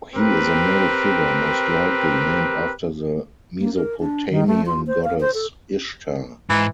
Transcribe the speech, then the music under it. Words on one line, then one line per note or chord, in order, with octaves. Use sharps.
He is a male figure most likely named after the Mesopotamian goddess Ishtar.
C4 G4 A#4 B4
A#3
A#4
D4
D#3
A3
F4
C5
F5
C5
A4
G#2 E3